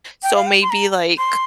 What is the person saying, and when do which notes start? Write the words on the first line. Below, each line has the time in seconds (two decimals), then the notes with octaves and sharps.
So maybe like
0.23 G5
0.35 F5
0.47 G5
0.62 C6
0.70 A#5
1.18 C6